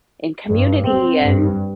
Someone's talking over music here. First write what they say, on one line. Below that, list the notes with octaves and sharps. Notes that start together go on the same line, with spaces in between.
in community, and
G2
C4
G2